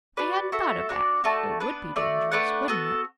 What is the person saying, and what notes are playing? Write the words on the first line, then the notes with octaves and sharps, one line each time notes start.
"I hadn't thought of that--it would be dangerous, wouldn't it?"
F#4 B4 D5
F#4 A4 E5
D4 F#4 B4 D5
A3 F#4 D5 A5
B3 D4 B4
A3 F#4 D5
A3 D4 B4 F#5
B3 F#4 A4